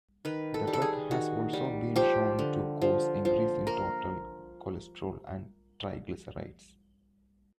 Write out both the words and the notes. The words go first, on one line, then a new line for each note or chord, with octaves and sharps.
The drug has also been shown to cause increases in total cholesterol and triglycerides.
D#3 B4
A4
G3
A4
G#4
D#3 F#4
G3
F3 G4
D3
F3
F3
A#3 A#4